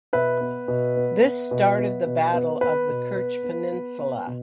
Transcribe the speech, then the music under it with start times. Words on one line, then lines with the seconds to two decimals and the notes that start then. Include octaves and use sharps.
This started the Battle of the Kerch Peninsula.
0.13 B2 B4 E5
0.40 B3
0.68 B2
0.96 B3
1.23 B3
1.51 B2
1.78 B3
2.06 B2
2.33 B3
2.61 B3 B4
2.89 B2
3.16 B3
3.44 B3
3.71 B3
3.99 B3
4.27 B2